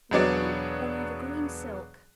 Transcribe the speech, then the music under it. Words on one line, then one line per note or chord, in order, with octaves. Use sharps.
'Well! then I've a green silk.
E1 F#3 B3 D4 C#5 D5